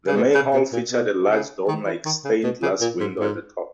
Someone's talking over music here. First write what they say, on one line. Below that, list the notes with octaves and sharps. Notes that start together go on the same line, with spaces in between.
The main hall featured a large dome-like stained glass window at the top.
C#3
B2
C#3
B2
A#2
B2
C#3
D#3
E3
D#3
C#3
B2
C#3
A#2
G#2
G#2